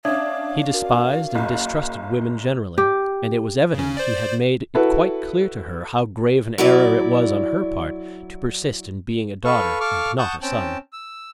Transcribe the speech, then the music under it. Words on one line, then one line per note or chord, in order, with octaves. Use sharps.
He despised and distrusted women generally, and it was evident he had made it quite clear to her how grave an error it was on her part to persist in being a daughter and not a son.
C#4 D4 E5 F5 D#6 G#6
F#4 A#4
F#1
G4
C#3 C#4
C5 D5
E4 F#4 A4 B4
F#3 E4 D5
A4 B4 F5 C#6
A4 F5 C#6 D6 F6
F#5 A5 C#6 D#6 G6
C4 C#4 G5 A5
E6